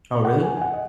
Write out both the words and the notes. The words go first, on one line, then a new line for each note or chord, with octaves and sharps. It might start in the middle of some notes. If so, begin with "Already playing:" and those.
Oh, really?
F#5
G#5
G#5
F#5
D#5